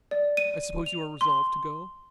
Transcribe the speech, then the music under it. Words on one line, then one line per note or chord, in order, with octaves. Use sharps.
I suppose you are resolved to go?
D5
D#7
F7
C6